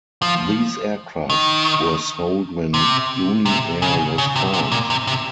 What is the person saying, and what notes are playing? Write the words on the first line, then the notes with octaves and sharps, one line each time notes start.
These aircraft were sold when Uni Air was formed.
F3
D#3
C3
C3
C#3
C#3
C3
C3
A#2
C3
C3